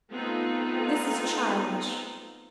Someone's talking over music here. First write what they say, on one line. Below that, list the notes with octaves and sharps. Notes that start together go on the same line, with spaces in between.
This is childish.
A3 B3 C4 D#4 F4 A4